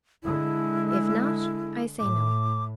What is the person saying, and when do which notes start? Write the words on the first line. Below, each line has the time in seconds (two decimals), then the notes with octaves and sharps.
"If not, I say no."
0.23 D3 G#3 E4
1.99 A2 D6